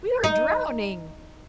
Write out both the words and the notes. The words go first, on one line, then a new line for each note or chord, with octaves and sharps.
We are drowning!'
D#4